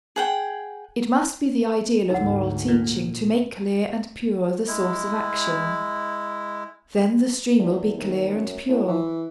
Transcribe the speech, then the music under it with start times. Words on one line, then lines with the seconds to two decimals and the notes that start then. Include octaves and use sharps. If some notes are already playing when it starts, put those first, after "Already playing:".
It must be the ideal of moral teaching to make clear and pure the source of action. Then the stream will be clear and pure.
0.16 G#4 F#5 G5
2.10 D2 G#2 D#4 F#5
2.68 A#2
4.67 G#3 E4
7.59 E2
7.97 D#2
8.35 F#2
8.68 A2
8.87 E3